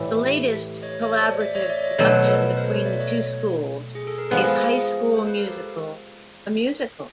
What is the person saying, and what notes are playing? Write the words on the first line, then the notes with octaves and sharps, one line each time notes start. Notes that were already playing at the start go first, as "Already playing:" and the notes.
The latest collaborative production between the two schools is High School Musical: The Musical!
Already playing: A2 E3 G3
C#5 D#5
C#5 D#5
C5 D5
D5 E5
C#5 D#5
D5 E5
C#5 D#5
B2 F#3 A3 B4 C#5
A#4 C5
A4 B4
A4 B4
A#4 C5
B4 C#5
D5 E5
C#5 D#5
G#4
A4
A#4
F3 G#3 B3 A4 B4
G#4 A#4
G#4
G#4
C5
B4
A#4
G4 A4